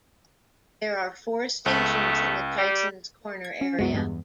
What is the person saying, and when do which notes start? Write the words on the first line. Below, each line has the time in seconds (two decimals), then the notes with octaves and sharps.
There are four stations in the Tysons Corner area.
1.66 C#2 A3 B3
2.58 G3
3.45 G#6
3.61 C#4
3.79 C2 F#2 F#3 G#3 B3
3.94 E2 G2 G#3 B3